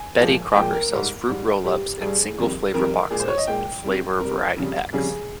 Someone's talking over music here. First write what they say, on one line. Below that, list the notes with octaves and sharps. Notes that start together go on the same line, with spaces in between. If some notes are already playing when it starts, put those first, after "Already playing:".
Betty Crocker sells Fruit Roll-Ups in single-flavor boxes and flavor variety packs.
Already playing: G#5
A#2 F3 G#3
A#2 F3 G#3 G5
A#4
G#2 G3
G#2 G3
G2 G3 G4
G2 G3 G#4
F2 D#3 G3
F2 D#3 G3 A#4
A#2 G#3 G#4
C5
C#5
D#5
A#2 G#3 G5
C3 G3
C3 G3 A#4
F2 C#3 G3
F2 C#3 G3 G#4